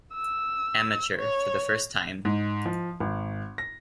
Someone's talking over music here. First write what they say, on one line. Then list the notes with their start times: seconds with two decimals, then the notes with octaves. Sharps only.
Amateur for the first time.
0.14 E6
1.18 C#5
2.25 G#2
2.66 F3
3.00 G#1
3.58 A#6